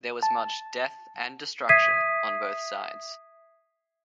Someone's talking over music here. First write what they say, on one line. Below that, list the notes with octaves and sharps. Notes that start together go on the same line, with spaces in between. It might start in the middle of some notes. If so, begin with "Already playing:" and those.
There was much death and destruction on both sides.
A5
E5 D#6 G#6 B6 C7 D#7